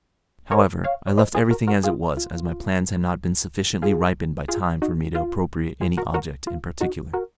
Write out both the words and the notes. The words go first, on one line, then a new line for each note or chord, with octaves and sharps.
However, I left everything as it was, as my plans had not been sufficiently ripened by time for me to appropriate any object in particular.
A#4 C#5
C#5 F5
C#5
C5 D#5
F4 G#4
F#4 A#4
F#4 A#4
F4 G#4
F4
F4 G#4
F4 G#4
D#4 F#4
F4
F4 G#4
F#4 A#4
F#4 A#4
F4
D#4 F#4
F#4 A#4